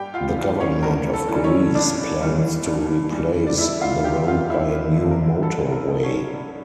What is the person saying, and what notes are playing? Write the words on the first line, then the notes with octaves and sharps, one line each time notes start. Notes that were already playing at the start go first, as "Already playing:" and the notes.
The government of Greece plans to replace the road by a new motorway.
Already playing: G2 G4 G5
F4 F5
E3 G3
C#4 C#5
G2 A#4
A4
E3
G3
C#4 C#5
G2 D4 D5
E3 G3
G2
E3 G3
D5
G2 E4 E5
F4 F5
D3 F3 G4 G5
F4 F5
G2 E4 E5
D3 F3
A#4
G2 A4
A#4
D3 F3
C#4 C#5
G2